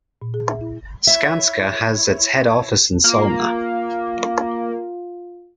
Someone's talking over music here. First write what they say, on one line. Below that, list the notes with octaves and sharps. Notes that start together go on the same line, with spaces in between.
Skanska has its head office in Solna.
A#2
G#4
E5
E4
E4 C#5 E5
A#3 F4